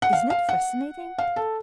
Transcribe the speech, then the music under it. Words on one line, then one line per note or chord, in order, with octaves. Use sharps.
Isn't it fascinating?
F#5
F5
F5
F#5
F5
A4